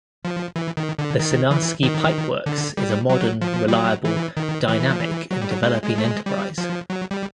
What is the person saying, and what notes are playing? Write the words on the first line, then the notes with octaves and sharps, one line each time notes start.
The Sinarsky Pipe Works is a modern, reliable, dynamic and developing enterprise.
F3
E3
D#3
D3
D#3
E3
D#3
D3
G3
F#3
F3
G3
F#3
E3
D#3
E3
F3
E3
F#3
G3
F#3
G#3
G#3
A3
G#3
G3
F3
F#3
G3